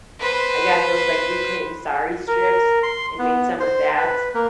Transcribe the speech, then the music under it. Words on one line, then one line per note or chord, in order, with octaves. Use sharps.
I got those, like, reclaimed sari strips, and made some with that,
B4 C5
A#4
C6
B3
C5
B4
A#3